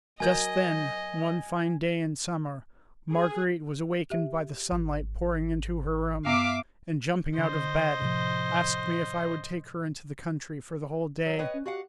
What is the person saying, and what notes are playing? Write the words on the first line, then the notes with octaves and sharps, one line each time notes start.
Just then, one fine day in summer, Marguerite was awakened by the sunlight pouring into her room, and, jumping out of bed, asked me if I would take her into the country for the whole day.
F#3 A#4 D#5 G#5 G6 G#6
G#4
G4 E5
G#1
G2 B3 E5 F5 D6
D3 C5 D#5
A2 C3 F3
F#3 C#5
B4 C#5 D#5 G5
C#4
F#4 G4 F5 F#5